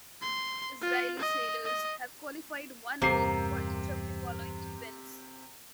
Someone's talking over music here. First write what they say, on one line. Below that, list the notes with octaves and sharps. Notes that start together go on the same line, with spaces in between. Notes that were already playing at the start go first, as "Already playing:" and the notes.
Israeli sailors have qualified one boat for each of the following events.
C6
F4
D#5
D#5
E2 G2 C3 A#3 C5 C7